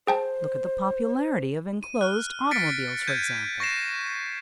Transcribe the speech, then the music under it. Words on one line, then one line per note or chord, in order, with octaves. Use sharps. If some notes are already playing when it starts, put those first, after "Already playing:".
Look at the popularity of inclosed automobiles, for example.
G#4 C5 G5 A5
D#7
F6 F#6
A6 B6 C#7 D7
G6 G#6 D#7
C#6 A#6 C7 E7